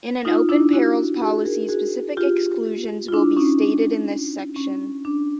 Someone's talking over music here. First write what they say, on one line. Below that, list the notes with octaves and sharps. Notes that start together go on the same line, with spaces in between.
In an open perils policy, specific exclusions will be stated in this section.
D#4 F4
D4 E4
E4 F#4
F#4 G#4
G#4 A#4
F#4 G#4
F4 G4
F4
D4 E4
C#4 D#4
D4
C#4
D4